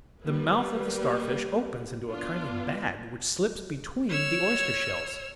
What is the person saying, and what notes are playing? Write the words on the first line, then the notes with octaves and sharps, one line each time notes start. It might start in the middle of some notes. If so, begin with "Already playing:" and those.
The mouth of the Starfish opens into a kind of bag which slips between the oyster shells.
G3 A#3 B4
B3 D4 F4
C#5 E6 F6